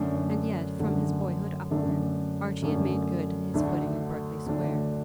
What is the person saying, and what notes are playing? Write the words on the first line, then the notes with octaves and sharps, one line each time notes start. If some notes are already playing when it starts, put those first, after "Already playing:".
And yet, from his boyhood upward, Archie had made good his footing in Berkeley Square.
Already playing: F#2 D3 A3 D4
F#2 D3 A3 D4
F#2 D3 A3 D4
F#2 D3 A3 D4
D2 D3 A3 D4
D2 D3 A3 D4